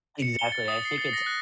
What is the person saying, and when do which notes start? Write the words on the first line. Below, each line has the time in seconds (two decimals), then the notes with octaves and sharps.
Exactly, I think it's
0.22 C#7
0.39 G7
0.52 A6
0.68 D#6
0.85 C7
0.98 A6
1.13 A#6
1.26 F#6